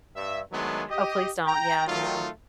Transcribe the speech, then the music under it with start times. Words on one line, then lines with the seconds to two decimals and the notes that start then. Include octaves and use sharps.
Oh, please don't, yeah, no.
0.15 G2 E5
0.52 D#3 F#3 G#3 A3 B3 D4
0.90 G4 D#5
1.46 G5 A#5
1.87 D#3 F#3 A3 D#4 F4